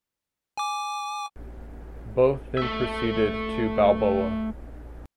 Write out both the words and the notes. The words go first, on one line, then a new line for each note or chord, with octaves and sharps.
Both then proceeded to Balboa.
G#5 D6
A3 E5